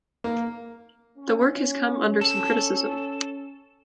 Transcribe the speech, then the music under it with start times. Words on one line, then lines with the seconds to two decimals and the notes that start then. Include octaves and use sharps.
The work has come under some criticism.
0.24 A#3
1.17 C#4
2.21 A4